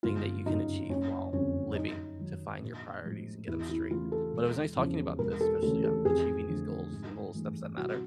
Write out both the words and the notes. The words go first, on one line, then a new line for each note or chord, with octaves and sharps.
thing that you can achieve while living to find your priorities and get 'em straight. But it was nice talking about this, especially on achieving these goals and little steps that matter.
G1 F4
F#2 C#3 D#4
F#1 C#4
F2 D3 G3 C#4
F#2 D#4
D#3 F#3
A#1
A2 F3 G#3
E2 E4
E4
C#3 E3 A3 F4
A4
E1
E2 C#3 F3
E1 A#4
A4
D2 C#3 E3 A4
A4
F2 G#4
D3 F3 A3
G#1
G2 E3 A3
C2 F#4